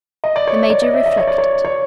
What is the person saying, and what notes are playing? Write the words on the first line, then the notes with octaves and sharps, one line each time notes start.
The Major reflected.
D#5
D5
C#5
D5
D#5
E5
D#5
C#5
D5
C#5
C#5